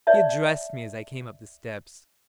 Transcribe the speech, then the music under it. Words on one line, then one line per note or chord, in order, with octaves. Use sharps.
He addressed me as I came up the steps.
C#5 D5 E5 A5